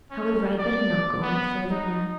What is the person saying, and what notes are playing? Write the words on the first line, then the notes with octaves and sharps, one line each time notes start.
However, I'd better not go any further now.
C#4
D5
B3
D#4